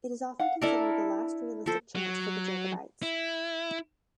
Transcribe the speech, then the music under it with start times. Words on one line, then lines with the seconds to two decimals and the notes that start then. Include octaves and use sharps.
It is often considered the last realistic chance for the Jacobites.
0.39 F5 F#5
0.62 D4 E4 A4 A#4 D5
1.66 F3 A4 C5
1.95 F#3
3.03 E4